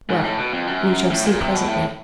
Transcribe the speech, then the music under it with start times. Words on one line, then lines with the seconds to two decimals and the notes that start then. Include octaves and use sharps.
Well, we shall see presently.
0.09 G#2
0.23 A2
0.38 B2
0.52 F2
0.67 F#2
1.10 A2
1.26 A#2
1.40 C3
1.54 B2
1.68 A2